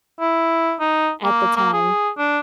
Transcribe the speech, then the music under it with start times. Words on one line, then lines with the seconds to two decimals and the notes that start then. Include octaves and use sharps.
at the time,
0.20 E4
0.80 D#4
1.24 A#3
1.56 A#3
1.73 G#4
2.18 D4